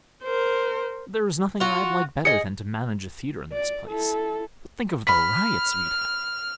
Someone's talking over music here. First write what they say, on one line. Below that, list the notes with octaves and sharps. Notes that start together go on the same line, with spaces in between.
There is nothing I'd like better than to manage a theatre in this place, but think of the riots we'd have!
A#4 C5
F4 F#4
G#4 D#5 C#7
D5
E4 A4
B5 F6 B6